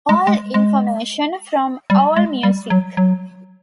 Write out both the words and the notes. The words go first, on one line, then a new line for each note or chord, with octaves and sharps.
All information from Allmusic.
G#3
G#3
G#3
G3
G#3
G3
F#3
F#3